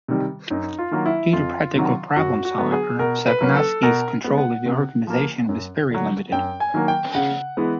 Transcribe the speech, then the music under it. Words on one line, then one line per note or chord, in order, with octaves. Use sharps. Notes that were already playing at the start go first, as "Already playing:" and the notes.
Due to practical problems, however, Sosnkowski's control of the organization was very limited.
C3 D#3 G3
F#2 D#4
F4
D#3 F#3 A#3
E4
F2 F4
C3 D#3 F#3
F#2 F#4
F#4
D3 F#3 B3
G#4
B2 A#4
B4
F#3 A#3 C#4
A4
B2 A#4
G#3 B3
F#5
C3
F3 A#3
F#2
D3 F#3
F#2 G5
G#5
D#3 F#3 A#3
G5
C#3 F#5
E3 G#3 B3